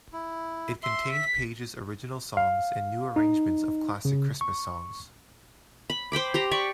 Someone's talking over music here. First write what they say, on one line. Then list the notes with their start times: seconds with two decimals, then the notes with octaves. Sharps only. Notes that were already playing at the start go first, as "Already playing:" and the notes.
It contained Paige's original songs and new arrangements of classic Christmas songs.
0.13 E4
0.83 E5 C6
1.13 B6
2.37 F5
3.16 D#4
4.05 C#3
4.41 C#6
5.90 B5
6.12 C5 G5 B5 D6
6.34 G4 C5 A#5
6.51 D5 B5 C#6 D6